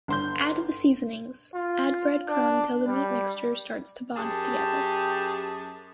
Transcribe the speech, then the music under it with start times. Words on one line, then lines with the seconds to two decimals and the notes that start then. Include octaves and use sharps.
Add the seasonings. add bread crumb till the meat mixture starts to bond together.
0.08 G1 C6 G6
1.55 F4
2.28 D4
2.87 G3
4.16 F#2 G4 G#4 A5